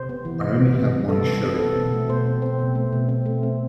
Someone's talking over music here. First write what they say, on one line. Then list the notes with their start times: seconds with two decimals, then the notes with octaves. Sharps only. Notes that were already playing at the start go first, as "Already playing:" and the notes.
I only have one show in me.
Already playing: C3 C5
0.09 B3
0.25 E3
0.42 C3
0.59 B3
0.76 B3
0.92 B3
1.09 B3 A4
1.26 B3
1.43 B3
1.59 C4 A4
1.76 B2
1.93 A3
2.09 B2 C5
2.26 C4
2.42 C4
2.59 B2
2.75 A3
2.93 B2
3.09 C4
3.26 A3
3.43 C4